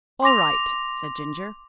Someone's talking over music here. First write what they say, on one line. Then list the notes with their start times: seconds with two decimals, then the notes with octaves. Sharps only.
"All right," said Ginger.
0.22 C6 D6 A#6 F7